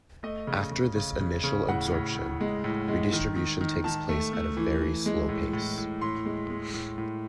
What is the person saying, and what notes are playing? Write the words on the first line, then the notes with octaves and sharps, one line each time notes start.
After this initial absorption, redistribution takes place at a very slow pace.
A3 D#5
C#3
C#3
C#3
C#3
C#3
A2 F#5
A2
A2
G#3
A2
G#3
D#3
D#3
D#3
D#3 A5
A3
A3
E3
E3
G#3
A2
A2
A2
A2 C6
G#3
G#3
A2
A2